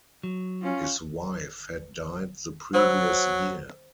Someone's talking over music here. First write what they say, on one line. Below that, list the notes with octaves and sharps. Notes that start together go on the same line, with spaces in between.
His wife had died the previous year.
F#3
C#4 F4
F#3 C5 B5 E6